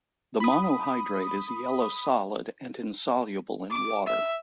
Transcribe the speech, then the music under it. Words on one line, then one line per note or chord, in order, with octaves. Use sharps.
The monohydrate is a yellow solid and insoluble in water.
B5 D#6
D6
E5